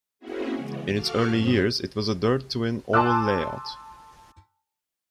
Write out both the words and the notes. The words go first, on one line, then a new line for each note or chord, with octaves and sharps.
In its early years, it was a dirt twin oval layout.
A#3 C4 C#4 E4 F#4 G#4
C#3 E3 G#3 B3
F#4 A4 F5 C#6 D6 F6
G2 C#3 C4 C5 D#6
G#5 A5 C6 D6 E6 F#6